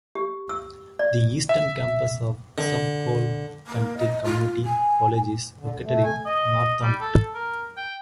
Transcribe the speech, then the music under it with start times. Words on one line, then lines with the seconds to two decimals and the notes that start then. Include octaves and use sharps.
The Eastern Campus of Suffolk County Community College is located in Northampton.
0.15 G4
0.49 E6
0.99 D5
1.49 E5
2.58 D3
3.67 A#3
3.98 D#5
4.24 F4
4.64 G#5
5.59 D3
5.71 D2
5.84 A3
6.04 G#5
6.26 D#5
6.82 G3
7.00 A4
7.34 A#4
7.77 G5